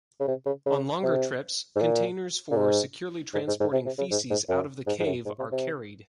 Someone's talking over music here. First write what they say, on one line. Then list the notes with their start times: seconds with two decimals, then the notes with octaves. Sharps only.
On longer trips, containers for securely transporting feces out of the cave are carried.
0.20 C#3
0.28 C3
0.46 C#3
0.66 C#3
1.03 C3
1.76 G#2
1.81 A#2
2.51 A#2
2.57 G#2
3.34 G#2
3.47 G#2
3.60 G#2
3.73 C3
3.86 C3
3.98 C#3
4.11 G#2
4.30 G#2
4.48 F#2
4.87 G#2
5.00 G#2
5.06 F#2
5.25 G#2
5.39 C3
5.52 C3